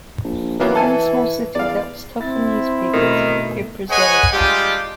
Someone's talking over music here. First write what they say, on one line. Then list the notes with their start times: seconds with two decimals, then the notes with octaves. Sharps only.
In a small city that was tough on newspapers, it persevered.
0.24 A#1
0.60 E3 F#3 A#3 B3
0.75 A4 G#5 A5
1.55 E2 D5 F5
2.21 C4 E4 A6
2.94 B2 D#3 A3
3.90 G#4 B4 C#5 D#5 F#5 G#5
4.33 G3 G#3 D4 F4 G4